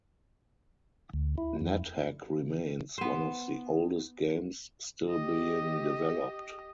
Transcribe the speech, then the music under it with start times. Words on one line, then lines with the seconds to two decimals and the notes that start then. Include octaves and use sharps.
NetHack remains "...one of the oldest games still being developed".
1.14 D2
1.38 E4
1.61 F2
2.98 B3 C5
5.10 G4 D#5